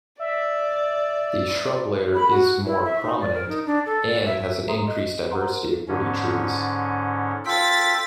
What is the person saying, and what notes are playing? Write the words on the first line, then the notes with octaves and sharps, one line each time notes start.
The shrub layer is more prominent and has an increased diversity of woody trees.
D5 E5
B5
F#4
E4
E5
D#4
D5
A#4
D#4
D4
A4
D5
E5
A4 E5 A#5 C6 D#6
D#5
A#4 C5 F#5 A#5 C6
G#2 D3 C#4
F4 A4 G5 A6 B6